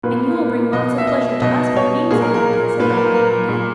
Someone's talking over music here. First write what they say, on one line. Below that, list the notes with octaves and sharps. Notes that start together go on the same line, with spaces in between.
"And you will bring lots of pleasure to us, by being so happy!" said Raggedy Andy.
A#2 B4
B2 D#5
E5
D#5
B2 D#5
C#5
A#2 G#4
A#4
A#4
A#2 B4
A#4
A#4
A#2 G#4